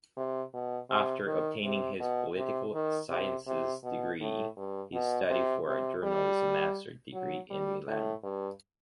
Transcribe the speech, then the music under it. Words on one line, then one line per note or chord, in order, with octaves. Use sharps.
After obtaining his Political Sciences degree, he studied for a Journalism Master Degree in Milan.
C3
B2
C3
D#3
C3
B2
C3
D#3
C3
C3
B2
A2
G2
B2
C3
C3
G3
F#3
G3
A2
G2